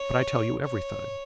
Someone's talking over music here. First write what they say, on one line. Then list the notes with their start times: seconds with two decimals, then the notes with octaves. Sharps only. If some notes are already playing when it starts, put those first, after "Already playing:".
"But I tell you everything."
Already playing: C#5
0.64 C#5